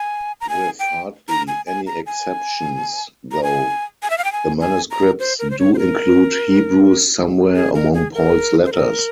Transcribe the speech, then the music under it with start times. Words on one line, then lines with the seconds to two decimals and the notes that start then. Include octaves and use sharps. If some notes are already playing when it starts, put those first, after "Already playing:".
With hardly any exceptions, though, the manuscripts do include Hebrews somewhere among Paul's letters.
Already playing: G#5
0.41 A#5
0.49 G#5
0.79 G5
1.29 A#5
1.48 G#5
1.67 G#5
1.87 A#5
2.06 G#5
3.32 A#5
3.43 G#5
4.03 G#5
4.10 E5
4.18 F5
4.24 G5
4.32 G#5
4.61 G#5
4.91 A#5
5.20 C5
5.39 A#4
5.51 C5
5.59 C#5
5.74 C5
5.78 A#4
7.56 G#4
7.75 A#4
7.94 G#4
8.14 A#4
8.65 C5
8.73 A#4